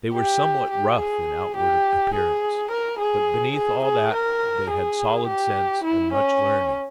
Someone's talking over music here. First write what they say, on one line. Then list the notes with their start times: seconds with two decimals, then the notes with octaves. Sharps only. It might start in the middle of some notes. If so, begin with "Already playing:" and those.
They were somewhat rough in outward appearance: but beneath all that they had solid sense and much learning.
0.14 G4
0.71 G4
0.99 G#4
1.57 G4
2.14 G#4
2.71 A#4
2.99 G#4
3.57 G#4
3.85 G#4
4.14 A#4
4.70 G#4
5.27 G4
5.85 E4
6.13 C#4